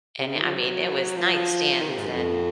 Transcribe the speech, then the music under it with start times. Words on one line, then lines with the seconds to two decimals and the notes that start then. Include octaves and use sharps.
and, eh, I mean it was nightstands and
0.19 C3
0.27 C#3
0.35 D#3
0.43 F3
0.52 F#3
1.17 F3
1.81 D#3
1.90 C3
1.98 G#2
2.06 F#2
2.14 F2